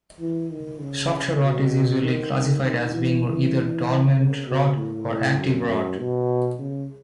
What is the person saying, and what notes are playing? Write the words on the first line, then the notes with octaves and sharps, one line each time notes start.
Software rot is usually classified as being either dormant rot or active rot.
E3
D#3
C#3
B2
D#3
D#3
D#3
E3
E3
C#3
B2
A2
A2
F#2
F#2
B2
C#3